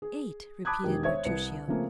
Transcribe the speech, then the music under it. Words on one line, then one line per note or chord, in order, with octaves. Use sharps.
"Eight!" repeated Bertuccio.
G#4
A5 B5 D6 D#6 F#6 G#6
E1 D#3 G4 A#4
C5 C#5 E5 G#6
C2 B4 C#7
C#3 F3 A3 A#3 C4